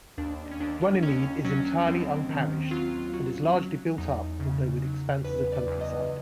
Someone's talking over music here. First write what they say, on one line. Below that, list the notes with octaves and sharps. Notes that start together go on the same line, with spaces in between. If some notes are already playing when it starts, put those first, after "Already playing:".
Runnymede is entirely unparished and is largely built-up, although with expanses of countryside.
D#2 D4
C#4
D#2 D4
D#2 C#4
F#3 C#4
D#2 C4
D#3
F#3 F4
F#3 F#4
F#3
E2 D#4
C#3
F#3
E2 B4
D5
E2
D#5